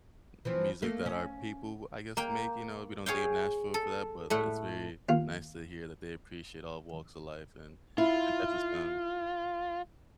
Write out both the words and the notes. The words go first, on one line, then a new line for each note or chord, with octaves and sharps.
mu music that our people, I guess, make, you know, we don't think of Nashville for that, but it's very nice to hear that they appreciate all walks of life and different types of sounds.
E3 F3 C4
A3 A#3
C#4
A#3 G5
G#4 C#5 F5 G5
A4
A2 A3 F#5
D#2 F4
E4 F4